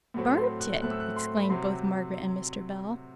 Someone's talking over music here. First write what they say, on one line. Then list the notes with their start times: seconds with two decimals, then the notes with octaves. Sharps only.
'Burnt it!' exclaimed both Margaret and Mr. Bell.
0.14 A2 F#3 A3 C4
0.37 C6
0.60 F#6
0.82 A2 F#3 A3 C4 F#6
0.91 E6
1.00 F#6
1.16 C6
1.42 B5
1.49 C3 F#3 C4 C6